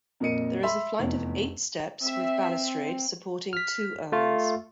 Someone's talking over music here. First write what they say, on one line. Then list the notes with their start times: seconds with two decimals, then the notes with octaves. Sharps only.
There is a flight of eight steps with balustrade supporting two urns.
0.20 F2 A#2 A#4 D#5 C#7 D#7
0.63 E5 B5 C6 E6 B6
0.99 F1 E2
2.02 C4 E5
3.53 F6 B6
4.12 A3 F4